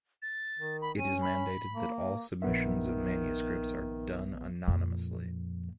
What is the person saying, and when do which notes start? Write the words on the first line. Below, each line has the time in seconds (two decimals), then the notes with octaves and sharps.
It is mandated that all submissions of manuscripts are done anonymously.
0.22 A6
0.59 D#3
0.82 B5
0.98 C#4 D#7
1.22 B5
1.73 A#3
2.42 A#1 D#3 B3 E5
4.68 F2 A#2